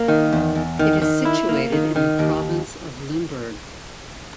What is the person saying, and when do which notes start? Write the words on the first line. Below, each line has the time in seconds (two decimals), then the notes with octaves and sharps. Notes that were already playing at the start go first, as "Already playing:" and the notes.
It is situated in the province of Limburg.
Already playing: A#3
0.08 D#3
0.32 E2
0.55 E2
0.79 D#3
1.02 D#3
1.25 E4
1.49 A#3
1.72 D#3
1.96 D#3
2.19 D#2